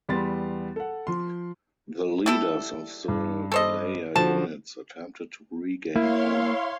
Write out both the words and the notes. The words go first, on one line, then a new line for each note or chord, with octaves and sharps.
The leaders of the Wilaya units attempted to regain power.
E2 G3 B3 C6 A6
A4 F#5
F3 C6
G3 E4 A4
G2
A4 C5 D#5
D3 F3 F#4 A5
A#3 E4 C#5 F5 C6